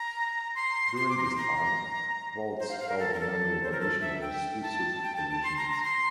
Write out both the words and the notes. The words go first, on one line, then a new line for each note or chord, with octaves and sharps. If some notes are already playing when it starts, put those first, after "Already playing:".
During this time, Waltz held a number of additional research positions.
Already playing: A#5
C6
C6
D6
A#5
C6
A#5
C5
F5
F5
A#4
A4
A#4
A4
C5
A#4
A4
E5
G5
A5
G5
A5
A5
C6
A#5
A#5
C6